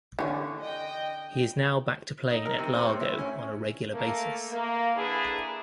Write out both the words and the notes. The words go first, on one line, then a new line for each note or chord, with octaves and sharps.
He is now back to playing at Largo on a regular basis.
D3 E3 C#4
D#5 G5
D#4
A#4
C3
C5
A2
E4
C#4
A3 A#3
A#3
D3 A#3 D4 E4 G#4 B4